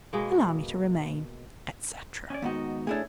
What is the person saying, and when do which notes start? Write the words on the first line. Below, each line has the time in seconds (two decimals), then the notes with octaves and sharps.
Allow me to remain, etc.
0.13 B2 G#3 A#3
2.30 C#4 D5
2.42 D#2 G#2 B3 D#4 F#4
2.87 A3 D4 E4 G#4 A4 C#5